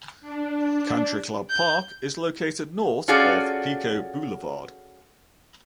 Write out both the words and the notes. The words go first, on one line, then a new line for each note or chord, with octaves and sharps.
Country Club Park is located north of Pico Boulevard.
D4
G6
C#4 F4 F#4 G#4 A4 D5